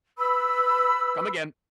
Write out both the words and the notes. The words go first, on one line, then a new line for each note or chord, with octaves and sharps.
come again."
B4 B5 E6